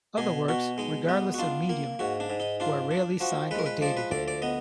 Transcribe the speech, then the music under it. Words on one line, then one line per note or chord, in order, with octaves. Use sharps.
Other works, regardless of medium were rarely signed or dated.
B2 G#4
B2 F#4
G#3 D#4
B3
F#4
D4 F4
A#3
G#2 F#4
D4
G#2
D#4
D4 F4
D4
F3 F#4
G#3 B4
A#4
B4
F3 D5
B4
D2 D5
D5
B3 D#5